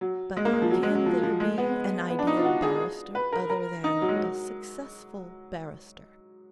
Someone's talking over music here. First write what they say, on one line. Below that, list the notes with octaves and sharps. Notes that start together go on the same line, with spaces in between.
But can there be an ideal barrister other than a successful barrister?
F#3
G#3
A#3
G#3
F3
F#3
G#3
F#3
F3
F3
G#3
B3
B3
D4
D#4
F4
F#4
G#4
B4
A#4
A#4
D#4
F#3
G#3
F#3